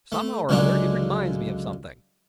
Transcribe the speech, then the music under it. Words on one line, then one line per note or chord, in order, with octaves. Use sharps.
"Somehow or other, it reminds me of something."
A3
C#2 D3 F#3 G#3 D4